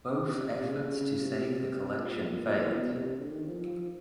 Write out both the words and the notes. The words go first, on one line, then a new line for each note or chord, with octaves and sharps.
Both efforts to save the collection failed.
C#3
C3
C3
C#3
C#3
C3
C3
A#2
A#2
A2
B2
C3
D3
D#3
F3
F3